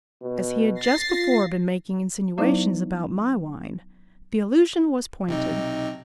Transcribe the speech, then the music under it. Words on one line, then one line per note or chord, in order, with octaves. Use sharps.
As he had just before been making insinuations about my wine, the allusion was pointed.
B2
A6 A#6 C7
F4
F#3 B3 D#4 E4 C5 D5
B1 C3 D#4